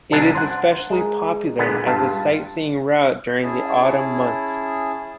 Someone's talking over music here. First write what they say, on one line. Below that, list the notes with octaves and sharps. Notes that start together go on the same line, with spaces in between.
It is especially popular as a sightseeing route during the autumn months.
C2 F#2 D4 A#4 F#5 G#5
C5 F#5
G#3 A#4
A#2 D3 G#3 B3
G2 F4 A5
C#4 E4 G#4 A5